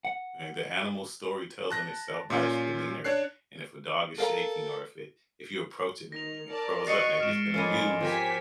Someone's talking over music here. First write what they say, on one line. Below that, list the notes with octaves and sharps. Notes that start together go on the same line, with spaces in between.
eh, the animal's story tells on itself by its demeanor, and if a dog is shaking, or if it if you approach it and it it curls up, maybe it's been abused,
F#5
A5 F#6 A#6
A#2 C#4 F4
D4 C#5 F#6 C7
A4 A#4 F5 A#5
D#3 A#6 F7
A#4 D5 A5
F#4 D#5 C#6 A6 C7 C#7
G#2 F6 D7 E7
F2 C#4 F4 A#4 G#5
F3 C4 G4 A#4 G#5 B6